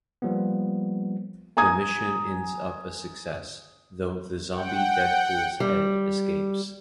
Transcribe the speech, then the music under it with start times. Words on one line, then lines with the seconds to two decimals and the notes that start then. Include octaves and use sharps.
The mission ends up a success, though the zombie Deadpool's head escapes.
0.22 F3 G3 A#3 B3
1.57 G#5 A#5 D#6 G#6
4.52 F#5 G5
5.60 G3